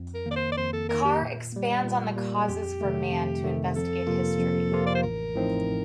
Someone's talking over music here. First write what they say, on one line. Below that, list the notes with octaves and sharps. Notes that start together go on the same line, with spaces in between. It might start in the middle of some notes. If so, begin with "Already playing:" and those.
Carr expands on the causes for man to investigate history.
Already playing: F2
A#4
D#3 A#3
D5
C5
D5
F2 C5
A4
D#3 A#3 A#4
G4
A#2
G3 A#3
A#2
G3 A#3
F2 G4
C3 D#3 A3
F2
C3 D#3 A3
F2 A4
C3 F3 A#3 F4
F2
C3 F3 A#3 F4
D5
C5
A1 A#4
A2 F3 C4 D#4